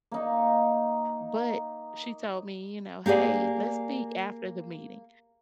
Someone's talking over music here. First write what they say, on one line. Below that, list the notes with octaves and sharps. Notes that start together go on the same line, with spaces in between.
but she told me, you know, "Hey, let's speak after the meeting."
A#3 D#4
A#3 G4 G#4 D5